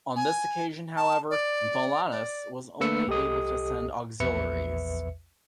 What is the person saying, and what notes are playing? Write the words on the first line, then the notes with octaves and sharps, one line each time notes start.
On this occasion, however, Bolanus was only able to send auxiliaries.
G#5
A5
D5
D5
A3 A#3 B4 E6 C#7
C2 G4 A4 D#5 D#6
A#1 E2 B4 E5 C#7